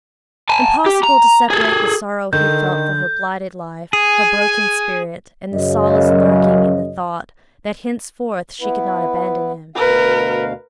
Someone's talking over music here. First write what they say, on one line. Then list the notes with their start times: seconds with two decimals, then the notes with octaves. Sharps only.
Impossible to separate the sorrow he felt for her blighted life, her broken spirit, and the solace lurking in the thought that henceforth she could not abandon him.
0.49 G#5 A5
0.86 G4
1.04 A#5
1.50 G#4 A4
2.33 D3 D#3 G6
3.93 G#4 G#5
5.54 F#2 C#3 D#5
8.61 B3 E4 B4
9.76 D2 B2 A#4 B4 F5